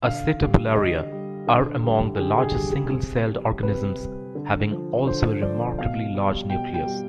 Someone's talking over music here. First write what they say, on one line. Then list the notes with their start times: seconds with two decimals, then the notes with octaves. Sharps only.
"Acetabularia" are among the largest single-celled organisms, having also a remarkably large nucleus.
0.03 D3 F5
0.40 G3
0.75 D3 D#5
1.12 G3
1.47 D3
1.84 G3
2.15 G#4
2.19 D3 G4
2.38 G#4
2.55 G3 G4
2.73 G#4
2.91 C3
3.27 G3
3.63 C3 B4
3.99 G3
4.35 D3
4.71 F3
5.06 D3 C5
5.42 F3 D5
5.79 B2 F5
6.15 G3
6.50 B2 G5
6.74 G5
6.86 G3